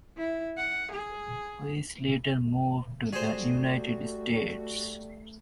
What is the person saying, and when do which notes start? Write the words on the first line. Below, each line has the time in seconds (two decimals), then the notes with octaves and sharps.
Reiss later moved to the United States.
0.17 E4
0.57 F#5
0.92 G#4
3.13 G3 A3 F#4 G#4 C5